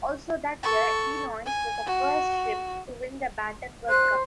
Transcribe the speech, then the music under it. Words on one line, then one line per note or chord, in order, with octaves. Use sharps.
Also that year, "Illinois" was the first ship to win the Battenberg Cup.
A4 C#6
G#5
F#4
C5 F#6